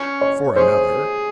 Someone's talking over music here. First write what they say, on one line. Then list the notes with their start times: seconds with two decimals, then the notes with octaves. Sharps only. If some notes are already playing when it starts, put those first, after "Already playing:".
"For another?"
Already playing: C#4
0.21 C#5
0.56 C#4 G#4 C5